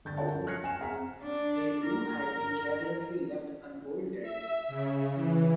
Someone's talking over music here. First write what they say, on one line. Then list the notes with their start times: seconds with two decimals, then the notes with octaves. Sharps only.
They, too, had been carelessly left unbolted.
0.05 D3 G6 A6
0.17 F4 A4 A#4 C#5 F#5 A5
0.35 F#2 F3
0.47 F6 F#6 G#6 A#6 C7 C#7
0.64 G#5 E7
0.79 C4 G#4 F#5 A#5 F6 B6
1.23 D4
1.86 A#4
4.22 E5
4.68 C#3
5.14 E3